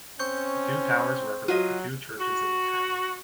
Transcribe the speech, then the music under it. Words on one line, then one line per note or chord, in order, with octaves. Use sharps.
The two towers represent the two churches in the town.
C4 C#4 C#6 G6
F#3 F4 F#4 D#5
F#4